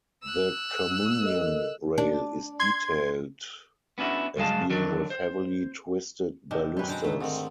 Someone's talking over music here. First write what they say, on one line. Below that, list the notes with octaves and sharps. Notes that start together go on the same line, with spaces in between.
The communion rail is detailed as being with heavily twisted balusters.
E6 F#6
A4 A#4 D#5
D4
C6 G#6
B3 C#4 D4 E4 F#4
C#2 G2 F#3 G#3 F5 A5
D3 D#3 F#3 D4 A#4
C5
C3 D#3 D4 D#5
F#2 B2 G3 B4 G#5
D3 G#3 G5 A5 A#5
D#2 G#2 D3 A3
G#2 C3 D#3 C4 A4 D#5